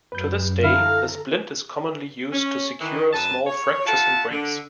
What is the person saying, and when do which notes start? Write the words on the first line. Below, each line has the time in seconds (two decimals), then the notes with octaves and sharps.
To this day, the splint is commonly used to secure small fractures and breaks.
0.12 F#2 B4 G6
0.63 D3 E4 A4 F5 A#5
2.33 C#4
2.80 D#3 E3 E4
3.13 F#2 B4 G#5 A5
3.47 C#5
3.86 F4 E5 F#5 A5
4.30 D3